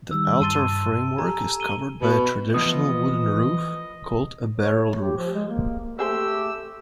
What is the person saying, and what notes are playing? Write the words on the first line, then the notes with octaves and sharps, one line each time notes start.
The altar framework is covered by a traditional wooden roof, called a barrel roof.
D#3 G3 E6
G2 A5 C6 A6 D#7 G7
G4 A4 G#5 A#5
D#7 G7
B2
E3 F3 A3 B3 D#5 D#6
C#5
A3
G4
F3
G#3
A#3
A3 C4 G4 G#4 C5 E6